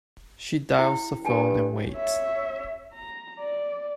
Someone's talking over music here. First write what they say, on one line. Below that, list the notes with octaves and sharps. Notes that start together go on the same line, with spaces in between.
She dials the phone and waits.
E4 G5
G2 G5 G#5
C#5 E5
A#5
D5